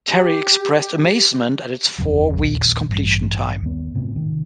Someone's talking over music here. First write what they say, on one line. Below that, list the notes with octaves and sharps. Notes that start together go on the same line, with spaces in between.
Terry expressed amazement at its four weeks completion time.
G4
F#1 E2 C#3 F#3
A#1 D#2 F#3
A1 G2
D#2 B3
A2 C3
D#3